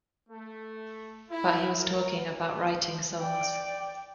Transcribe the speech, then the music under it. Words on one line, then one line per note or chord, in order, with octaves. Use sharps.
But he was talking about writing songs.
A3
E4
A#4
D5 G5